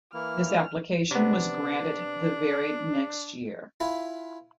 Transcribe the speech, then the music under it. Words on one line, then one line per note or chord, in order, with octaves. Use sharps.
This application was granted the very next year.
E3 A#3 E4 F6
C3 B3 D4
E4 F4 B4 G#5